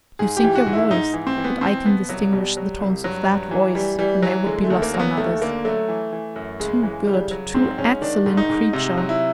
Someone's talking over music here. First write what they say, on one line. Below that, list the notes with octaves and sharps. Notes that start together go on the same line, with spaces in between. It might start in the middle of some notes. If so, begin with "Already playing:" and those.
You sink your voice, but I can distinguish the tones of that voice when they would be lost on others. Too good, too excellent creature!
G#2 G#4
G4
E3
F#4
G#2
E4
G#2 D#4
E3
C4
E3
B3
B2 C4
B2 B3
C2 F#3
B2 G3
F#3
C2
G2 F#3
G2
E3
E3 G3
E3 G3
E3 F#3
D3 G#3
A3
D#2
A#3
F#3
B3
D#2 A3
D3 A#3
F#3 A3
E3
E3
F#2
C#3 G#3
E3 G#3
C#3 G3
F#3
G#2 C4
G#2 C#4
D#3 D4
G#2
D#4
G#2
C3 D#4
F#3
E4